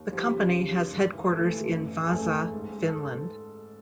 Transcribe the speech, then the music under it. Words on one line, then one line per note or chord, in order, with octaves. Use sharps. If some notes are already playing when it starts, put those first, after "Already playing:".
The company has headquarters in Vaasa, Finland.
Already playing: D#2
F3 G3 G4
C#3
D#2
D#2
G#2
E3
E3 A3 A4
E3
A1
A1
G#4
A1 A3 A4
A1
G#2
G#2
A4